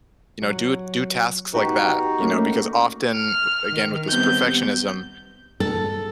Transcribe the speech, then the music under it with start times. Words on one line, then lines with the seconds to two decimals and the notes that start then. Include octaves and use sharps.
you know, do do tasks like that. You know? Because often, again, with this perfectionism,
0.42 F#3
1.53 B3 D#4 F#4 G4
2.19 A3 A#3 C#4
3.15 F6
3.71 D#3
4.09 G3 B3 C4 G6
5.60 A4